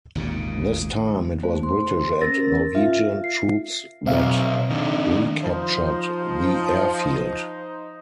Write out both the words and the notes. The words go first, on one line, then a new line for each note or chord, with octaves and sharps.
This time, it was British and Norwegian troops that recaptured the airfield.
G#1 D#2 A#2 C#3
A3 C5
C6
C#4 A#4 A6 A#6
F4 E5 F5
C7
B1 C4 E5 F5
D#3 D4
F3 D#4 C5